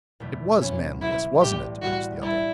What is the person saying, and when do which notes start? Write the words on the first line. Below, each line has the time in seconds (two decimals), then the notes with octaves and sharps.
"It was Manlius, wasn't it?" urged the other.
0.20 F#1 E2 B2 A3
0.61 B1 B2 F#3 C#4
1.01 B1 B2 F#3 E4
1.41 A1 A2 G3 G4
1.81 A1 A2 G3 F#4
2.22 A2 G3 D4 E4 A4